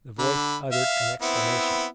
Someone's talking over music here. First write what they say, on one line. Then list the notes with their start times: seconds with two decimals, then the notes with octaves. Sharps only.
The voice uttered an exclamation.
0.19 D3 B5
0.72 E5 F5
1.22 B3 C4 E4